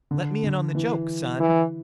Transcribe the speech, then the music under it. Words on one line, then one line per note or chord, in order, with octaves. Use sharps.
"Let me in on the joke, son."
D3
D3
E3
E3